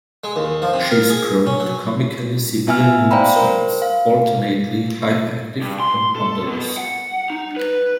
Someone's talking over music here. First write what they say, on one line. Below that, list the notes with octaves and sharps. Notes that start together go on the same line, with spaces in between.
She is prone to comically severe mood swings, alternately hyperactive and ponderous.
G#3
D#2
F3
C3
A#4
G#4
C#4
F#3
B3 F4 E5 G#5 E6 F6
C5 D5 F5 G5 A#5 B5
A#4 C5
F5
G2
C6
A4
B2
F#5
D#4
B4